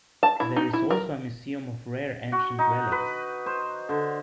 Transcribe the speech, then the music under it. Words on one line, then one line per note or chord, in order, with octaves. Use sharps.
There is also a museum of rare ancient relics.
A5
E4
D#4
E4
A#4
F#4
D#4
B4
C5
D3